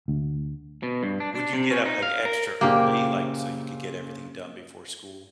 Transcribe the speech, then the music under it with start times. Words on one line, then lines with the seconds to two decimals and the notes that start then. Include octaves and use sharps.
Would you get up like extra early, like, so you could get everything done before school?
0.08 D2
0.83 B2
1.03 G2
1.20 D4
1.35 D4
1.53 C3
1.71 C#4
1.86 D#4
2.03 F5
2.25 A#4
2.61 F#1 A#2 C#3 A#3 G4